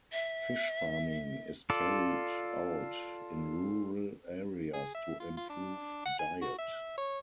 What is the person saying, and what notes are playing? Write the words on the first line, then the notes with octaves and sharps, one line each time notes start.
Fish farming is carried out in rural areas to improve diet.
E5
F4 A4 D5
G#4
E5
F4
F4
D4
F#5
G#5
F#4
E5
C#5